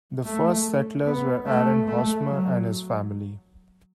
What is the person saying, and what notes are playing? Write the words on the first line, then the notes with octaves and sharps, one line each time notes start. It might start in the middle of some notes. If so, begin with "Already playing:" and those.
The first settlers were Aaron Hosmer and his family.
A3
B3
A3
A3
F#3